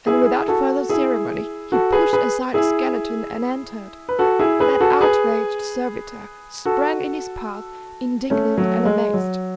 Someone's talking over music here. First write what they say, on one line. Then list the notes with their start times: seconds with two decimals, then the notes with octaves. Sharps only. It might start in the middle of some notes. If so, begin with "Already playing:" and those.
And without further ceremony, he pushed aside the skeleton and entered. But that outraged servitor sprang in his path, indignant and amazed.
0.07 E4 G#4
0.48 F#4 A4
0.89 E4 G#4
1.72 F#4 A4
1.92 G#4 B4
2.13 G#4 B4
2.54 E4 G#4
4.09 B4
4.19 F#4 A4
4.39 E4 G#4
4.60 G#4 B4
4.80 F#4 A4
5.01 G#4 B4
6.65 F#4 A4
8.30 A3 C#4
8.58 F#3 A3
8.85 G#3
9.14 F#3